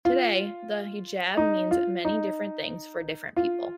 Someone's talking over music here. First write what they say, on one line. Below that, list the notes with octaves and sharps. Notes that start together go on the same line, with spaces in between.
Today the hijab means many different things for different people.
F4
D#4
F4
D#4
F4